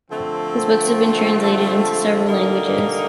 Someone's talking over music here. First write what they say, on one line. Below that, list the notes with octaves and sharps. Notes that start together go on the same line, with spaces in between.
His books have been translated into several languages.
D3 F3 A3 C4
D3 G3 A#3 D#4